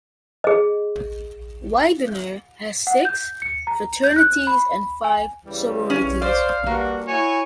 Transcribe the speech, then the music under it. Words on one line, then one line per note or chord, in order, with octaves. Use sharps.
Widener has six fraternities and five sororities.
G#4 D#5
F#5
G6
C#7
A#5
G6
F#6
B5
G#5
C#3 E3 G3
C#4
C5 D5 F5
G2 A#3 F#4
E4 F#4 C#5 G#5